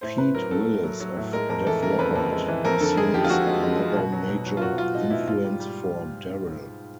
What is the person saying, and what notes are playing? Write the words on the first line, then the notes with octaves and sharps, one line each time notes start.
Pete Willis of Def Leppard was seen as another major influence for Darrell.
A2 C5
A2 B4
F#3 A#4
F#3 A4
F#3
F#3
F#3
A2
G#3 A#4
F2 A#4
E3 A4
C#3 A#4
F2 B4
F2
G#3
E3
F2 A#4
D3 A4
G#3 G#4
F3 G4
F4
F3 F#4
G#3
G#3
F3
B2
F#3
B2
F#3
F4
B2 F#4
F#3 F4
B2 D#4
B2 E4
G#2 F4
G3
G3